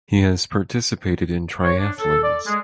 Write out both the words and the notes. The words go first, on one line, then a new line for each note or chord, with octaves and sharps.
He has participated in triathlons.
C#5
D4
A4
D5
G#3